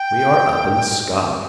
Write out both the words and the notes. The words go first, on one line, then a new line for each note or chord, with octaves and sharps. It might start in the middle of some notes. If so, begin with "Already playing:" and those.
We are up in the sky.
Already playing: G5